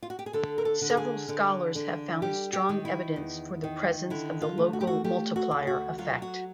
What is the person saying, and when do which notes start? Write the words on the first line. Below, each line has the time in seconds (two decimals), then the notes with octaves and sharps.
Several scholars have found strong evidence for the presence of the local multiplier effect.
0.03 F4
0.10 F#4
0.19 G4
0.26 G#4
0.33 D3 A4
0.58 A#4
0.65 A4
0.81 D3
0.90 A4
0.97 G#4
1.29 D3
1.75 D3
2.22 G3 G4
2.53 G4
2.69 D#3
2.85 E4
3.16 E2
3.64 D#3
4.10 D3 E4
4.42 F4
4.58 A3
4.73 F#4
4.81 G4
4.87 F#4
5.04 A3 G4
5.36 F#4
5.51 D2
5.67 F#4
5.98 F#3 F4
6.22 F#4